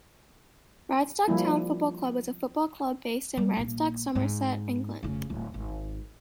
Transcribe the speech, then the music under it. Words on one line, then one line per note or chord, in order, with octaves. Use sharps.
Radstock Town Football Club is a football club based in Radstock, Somerset, England.
F3 G3 A#3 E4
G3 G#3
A#1 A#3
G#2
F1 C#3
D1
G#1